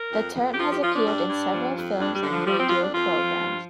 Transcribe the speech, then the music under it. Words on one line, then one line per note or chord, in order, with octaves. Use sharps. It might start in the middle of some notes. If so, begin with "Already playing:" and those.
The term has appeared in several films and radio programs.
Already playing: A#4
F2
F2
G4
F3 F4
G4
F3 F4
D4
G2
G2
F3
F2
G2 D4
G3
D3
F3
F3 G3
C4
F2 F4
D4
F2 F4
F3
G2